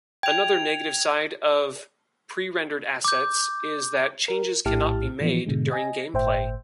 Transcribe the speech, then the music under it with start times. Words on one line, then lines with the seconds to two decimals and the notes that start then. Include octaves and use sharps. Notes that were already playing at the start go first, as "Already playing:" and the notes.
Another negative side of pre-rendered assets is that changes cannot be made during gameplay.
0.23 G5 G#6 F7
3.04 D6 G6
4.28 A#4
4.66 A#1 A2 E4 G4 A5 F6
5.20 A2 E3 F3 B3
5.46 G#2 B2 D3 G#3
5.72 D#5 G#5 A#6
6.14 G1 A2 C5 E5 G5